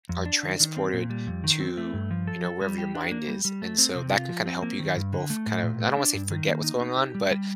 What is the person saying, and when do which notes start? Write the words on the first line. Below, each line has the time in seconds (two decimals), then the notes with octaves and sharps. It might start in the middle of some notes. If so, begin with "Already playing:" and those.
are transported to, you know, wherever your mind is, and so that can kinda help you guys both kind of I don't wanna say forget what's going on, but
0.09 F2
0.26 D4
0.43 D#3
0.60 D#3
0.77 C4
0.93 A#2
1.10 G3
1.27 F2
1.44 D#3
1.60 C4
1.77 A3
1.94 G2
2.11 F3
2.27 A4
2.44 A4
2.61 G3
2.78 G4
2.95 D4
3.11 A#3
3.28 G3
3.45 G3
3.62 A3
3.78 C4
3.95 C3
4.12 F4
4.29 F3
4.46 C4
4.62 A#3
4.79 D#3
4.96 G2
5.13 D3
5.30 A3
5.46 A2
5.63 A#2
5.80 A3
5.97 D4
6.14 G2
6.30 D#3
6.47 A#3
6.64 D#4
6.81 D#4
6.97 G4
7.15 G3
7.31 G3